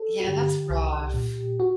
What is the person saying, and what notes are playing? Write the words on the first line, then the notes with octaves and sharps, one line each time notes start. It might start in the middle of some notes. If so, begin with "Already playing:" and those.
Yeah, that's rough.
Already playing: A4
F#4
G2 D3 G4
C2
A#2
F#4